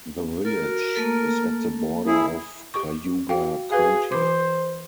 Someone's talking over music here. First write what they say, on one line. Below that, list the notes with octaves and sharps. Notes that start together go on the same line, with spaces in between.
The village is at the border of Cayuga County.
A4 A#4
F#4
A3 A#3 A4
E4 G#4
G4 C#6
F#4 F5 G5
F#4 G#4 B4 F5
E3 C5 D6